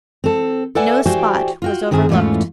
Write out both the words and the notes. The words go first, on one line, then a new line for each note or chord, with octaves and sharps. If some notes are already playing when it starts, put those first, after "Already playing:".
No spot was overlooked.
C4 A4
A4 B4 D5 E5 F#5 G#5
F#4 G4 C5 D5 G5 G#5
F4 F#4 G5
G2 D#3 C4 G#4
E2 G#2 E3 A3 C#4 F4